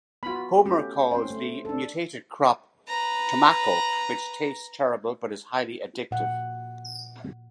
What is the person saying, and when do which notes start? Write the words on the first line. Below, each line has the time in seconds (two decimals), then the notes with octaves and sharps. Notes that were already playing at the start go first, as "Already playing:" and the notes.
Homer calls the mutated crop "Tomacco," which tastes terrible, but is highly addictive.
0.23 B3 F4 F#4 B5
0.66 A3 C#4 G4
1.11 C4 C#4 C5
1.31 A3
1.65 D4 A4
2.88 B4 A#5
6.11 A#2 F#5